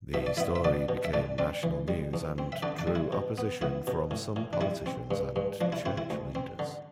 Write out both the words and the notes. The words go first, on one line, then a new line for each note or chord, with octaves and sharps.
The story became national news and drew opposition from some politicians and church leaders.
B2 E5
D5
B3 E4 E5
E5
B3 D4 D5
B2
E5
A2 D4 D5
C4 D4 D5
E3
G3
E2
C4
E5
D3 D4 D5
D4 D5
G3
E4
B2
B3
B3 E4
B2
A2
A2
D4
G3 E4
C4
G2
G2
F3 D4
E4
C4 E4
E4
D2
C4
D3